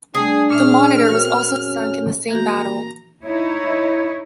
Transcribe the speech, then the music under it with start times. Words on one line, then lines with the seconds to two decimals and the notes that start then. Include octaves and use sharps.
The monitor was also sunk in the same battle.
0.15 G3 A3 D4 G#4 G#5
0.50 A#2 C#4 E5 F6
1.09 B3 C4 F#4 A#4 C#5
1.47 F2 F#3 C#4
2.31 E3 A#3 F#4 A#5 G6
3.23 D#4 E4 C#5